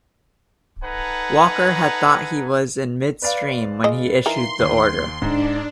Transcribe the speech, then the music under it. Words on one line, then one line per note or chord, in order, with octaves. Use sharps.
Walker had thought he was in mid-stream when he issued the order.
D#4 A4 B4 F#5 G#5 A#5
B4 D5 F5
G#3 D#5
E3 D#4 A#4 C6
D#2
G#2 D4